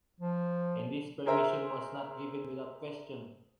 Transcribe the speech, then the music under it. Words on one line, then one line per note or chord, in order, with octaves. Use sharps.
And this permission was not given without question.
F3
G#4 A#4 C5 E5 A#5